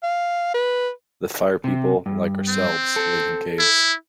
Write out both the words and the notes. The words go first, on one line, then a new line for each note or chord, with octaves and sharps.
The Fire People, like ourselves, lived in caves.
F5
B4
C3
G2
C4
A4
E4